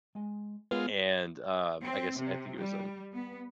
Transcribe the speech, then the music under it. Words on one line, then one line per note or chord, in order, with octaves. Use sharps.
and, uh, I guess I think it was in
G#3 G#5
G#3 B3 F4 A#4 C#5
C4
C3
G3
B3